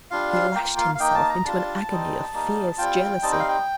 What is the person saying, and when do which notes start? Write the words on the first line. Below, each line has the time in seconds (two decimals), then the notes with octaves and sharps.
He lashed himself into an agony of fierce jealousy.
0.11 G3 D4 F4 F5
0.33 F5
0.55 A#3 F4 G5
0.77 F5
0.95 F5
1.00 A#3 D#4 G5
1.15 A5
1.29 A#5
1.44 G3 D4 F4 A5
1.89 G3 C4 D#4
2.34 G3 A#3 D#4
2.78 G3 C4 F4 G5
3.22 G3 C4 D#4 A5
3.32 G5
3.40 F5
3.49 G5